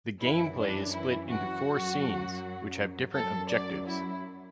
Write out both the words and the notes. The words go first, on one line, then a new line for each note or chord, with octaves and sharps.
The gameplay is split into four scenes, which have different objectives.
F#2 E3 E4
D4
E4
F#4
F#2 F#3
F#2 F#3 A4
D5
E4